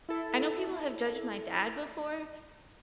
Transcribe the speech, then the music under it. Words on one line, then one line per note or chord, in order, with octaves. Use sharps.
I know people have judged my dad before
E4 A4